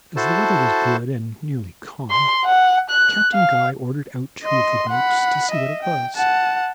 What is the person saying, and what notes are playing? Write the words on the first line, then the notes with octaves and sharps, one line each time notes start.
As the weather was good and nearly calm, Captain Guy ordered out two of the boats to see what it was.
E4 F#4 A4 C5 A5
C6
F#5
F#6
F5
D#5 C6
F#5 B5
D#5 E5
G5
F#5 A5